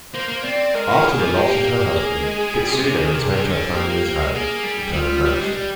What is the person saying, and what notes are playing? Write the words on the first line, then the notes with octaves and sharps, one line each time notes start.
After the loss of her husband, Kitsuno returned to her family's home, Ikoma mansion.
A#3 C5
A#3
C4 D5
G#3 A#4
F3
D#3 G#4
F3
G#3 G4
A#3
A#3
G#4
G#3
G3
C3
C3 G#4
D#3
C3
C3
D3
A#3 G4
A#3
A#3
G#3
A#3 G#4
G3
G3 F4
G3 G4
G#3
G3